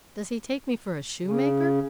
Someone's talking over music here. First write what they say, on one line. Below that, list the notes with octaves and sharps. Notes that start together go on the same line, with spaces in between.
Does he take me for a shoemaker?'
C#3